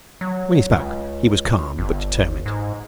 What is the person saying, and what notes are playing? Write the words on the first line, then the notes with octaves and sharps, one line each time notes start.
When he spoke he was calm, but determined.
F#3
C#2
G1
G#2